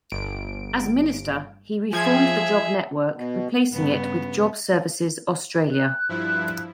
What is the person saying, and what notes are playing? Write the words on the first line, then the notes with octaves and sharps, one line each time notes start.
As Minister he reformed the Job Network, replacing it with Job Services Australia.
G1 D7
F3 G#4 E5 G#6
B2
G2 C#3 B3
F#6
G2 F3 E4